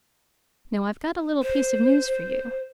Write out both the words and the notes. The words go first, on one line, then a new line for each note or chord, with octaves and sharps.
Now I've got a little piece of news for you.
C5